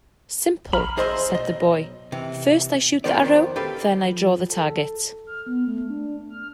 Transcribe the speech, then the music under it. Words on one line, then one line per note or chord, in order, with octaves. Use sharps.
"Simple", said the boy, "first I shoot the arrow, then I draw the target".
A#1 F2 A#5 B5 F6
E2 G#4 C5 D#5 E5 C6
B1 D#5
C3 E3
F2 A#2 D#3 F3 B3 D5
G4 A4 B4 F5
F3
A4
F6
B3
A3
D4
F6